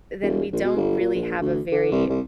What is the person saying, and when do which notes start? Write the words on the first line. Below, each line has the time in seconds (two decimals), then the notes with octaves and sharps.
then we don't really have a very
0.23 E1
0.52 A#1
0.64 B2
0.76 G1
1.00 A#2
1.15 A#1
1.41 D2
1.72 D3
1.92 C2
2.09 C2